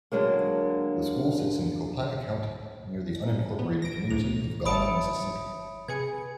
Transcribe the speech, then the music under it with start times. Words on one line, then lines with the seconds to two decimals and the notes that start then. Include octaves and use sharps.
The school sits in Copiah County, near the unincorporated community of Gallman, Mississippi.
0.12 D3 F#3 G#3 A#3
3.59 B3
3.82 A#6 D7
4.11 D2 A2 F7
4.65 G1 C#5 E5 A5 B5 D#6 C#7 D7
5.88 C3 G#4 B4 G#5 G#6 C#7